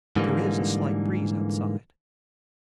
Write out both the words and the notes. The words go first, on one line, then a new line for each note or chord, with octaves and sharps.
There is a slight breeze outside.
G#2 D3 E3 G3 A#3